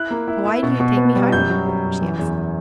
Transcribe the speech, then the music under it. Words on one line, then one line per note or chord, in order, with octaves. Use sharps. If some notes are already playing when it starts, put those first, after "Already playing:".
"Why do you take me home?" she asked.
Already playing: E4 F#6
A#3
E4
E4
B2
B2
B3
G3
F#2 G6
F#3
F#3
F#2
E3
E2